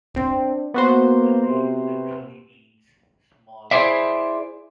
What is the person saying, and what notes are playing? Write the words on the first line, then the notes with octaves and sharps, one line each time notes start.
The name literally means "small streams".
C4 D4
A#3 B3 F#4 C5
C3
E4 G#4 C5 D5 E5